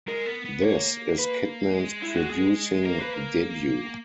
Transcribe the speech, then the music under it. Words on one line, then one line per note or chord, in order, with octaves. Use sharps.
This is Kidman's producing debut.
G#3 A#4
B3
B3
A#3 C#5
B4
G#3
E4
F#4
G#4
A#3 A#4
B4
A#4